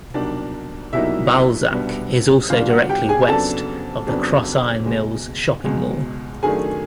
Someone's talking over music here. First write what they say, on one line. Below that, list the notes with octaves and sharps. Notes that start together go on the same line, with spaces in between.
Balzac is also directly west of the Crossiron Mills shopping mall.
C2 B2 F#3 A#3 D4 D#4 D5
C2 B2 F#3 A#3 D#4 E4 E5
C2 B2 G3 B3 D4
C2 B2 G3 B3 D4 F4 F5
F#4 F#5
G4 G5
G#4 G#5
F2 C#3 F#3 B3 D4 A4 A5
F2 C#3 F#3 B3 D4
C#2 B2 G#3
C#2 B2 G#3
F#2 D#3 F#3 A3 D4 G#4 G#5